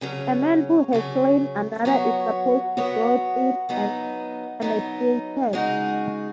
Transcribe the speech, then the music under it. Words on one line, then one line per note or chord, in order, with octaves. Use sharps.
A man who has slain another is supposed to grow thin and emaciated.
C#3 F#3 C#4
C#3 F#3 C#4
F#3 B3 F#4 C#5
F#3 B3 F#4 C#5
F#3 B3 D#4
F#3 B3 D#4
C#3 G#3 D#4 F#4